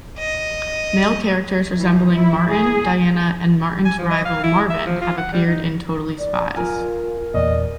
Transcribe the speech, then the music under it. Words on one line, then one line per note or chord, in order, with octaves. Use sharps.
Male characters resembling Martin, Diana, and Martin's rival Marvin have appeared in Totally Spies!
D#5
E3
E4
G#4
G#5
F3
D#5
F5
E4
E5
F3
F4
F#5
G3
D#4
D5
F4 A#4 G#5
E2 A#2 D5 D#5